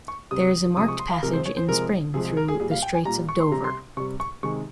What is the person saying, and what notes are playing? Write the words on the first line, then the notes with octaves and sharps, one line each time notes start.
There is a marked passage in spring through the Straits of Dover.
C#6
C3 G3 D#6
C3 F3 G#3 D#6
C#6
C6
F5
C3 F3 G#3 A#4
C5
C#5
C5
C3 F3 G#3 A#4
C3 F3 G#3 G#4
G#4
A#4
G#4
A#2 G3 G#4
F5
G5
G#5
A#2 G3 A#5
C#6
C6
C3 G3 A#5
C6
C3 G3 C#6
C#6
C3 D#3 G#3 C#6